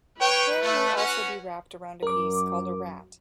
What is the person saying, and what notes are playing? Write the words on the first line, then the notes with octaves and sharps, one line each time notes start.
Hair may also be wrapped around a piece called a "rat".
B4 C#5 G5
A3
C#4 F#4
F#2 A#4 D6